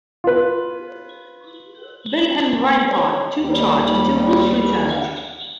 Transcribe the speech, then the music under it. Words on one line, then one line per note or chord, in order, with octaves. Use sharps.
Wilhelm Reinhard took charge until Wolff returned.
F4 B4
C#5
D#2 G3